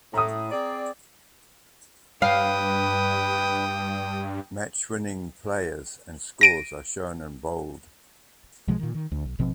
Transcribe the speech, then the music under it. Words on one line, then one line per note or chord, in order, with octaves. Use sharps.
Match winning players and scores are shown in bold.
A2 A#5 D#6
C4 G#4 D5
G2 B4 F5 G5 D#6
A#6 D7 D#7
B1 B2 F3 G#3
A#2 D#3
D#3
D2
B1
G#1 B2 F3 C4